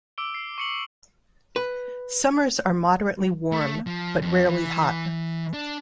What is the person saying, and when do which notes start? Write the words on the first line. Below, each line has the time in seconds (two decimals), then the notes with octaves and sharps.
Summers are moderately warm but rarely hot.
0.18 D6 E6 D7 G7
0.34 C7
0.58 C#6 C#7 F#7
1.56 B4
3.52 A3
3.87 F3
4.22 F2
4.49 E3
5.54 D4